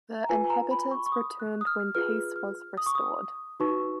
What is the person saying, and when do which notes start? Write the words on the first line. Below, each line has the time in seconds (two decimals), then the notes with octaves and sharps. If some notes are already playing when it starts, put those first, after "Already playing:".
The inhabitants returned when peace was restored.
0.24 A#5
0.29 F4 B4 G#5
0.44 G#5
0.50 A#5
0.71 B5
0.91 C#6
1.06 C#6
1.12 D#6
1.40 F#6
1.61 D#6
1.67 F6
1.95 F4 G#4 B4 F6
2.36 F6
2.78 D#6
2.86 C#6
2.95 D#6
3.60 D#4 F#4 B4 C#6